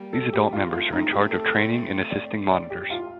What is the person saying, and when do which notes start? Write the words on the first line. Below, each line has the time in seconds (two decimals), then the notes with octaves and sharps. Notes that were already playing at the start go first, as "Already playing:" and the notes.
These adult members are in charge of training and assisting Monitors.
Already playing: G3 A#3
0.13 A4
0.33 G4
0.53 A3 C4 F4
0.72 F4
0.93 D#4
1.12 G4
1.31 A4
2.11 D5
2.50 D5
2.70 G4
2.90 F4